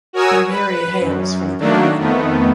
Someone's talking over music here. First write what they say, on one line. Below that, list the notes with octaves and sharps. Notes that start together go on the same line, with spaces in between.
Bagheri hails from Pune.
F#4 A#4 C#5 G#5 D#6 E6
B4
F#2
D#3 F#3 A3 A#3 D4
F2 D#3 A3 B3